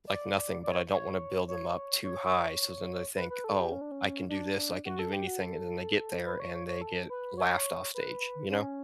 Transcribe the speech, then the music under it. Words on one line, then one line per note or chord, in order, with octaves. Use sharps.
like, nothing, but I don't wanna build them up too high, so then they think, "Oh, I can do this, I can do anything," and then they get there and they get laughed off stage, you know?
D5
D5
C#5
C#5
C#5
C#5
B4
B4
A4
G4
C#4
D4
C#4
D4
F#4
A4
G4
F#4
A4
B4
C#5
C#5
C#5
A4
B4
C#5
B4
C#4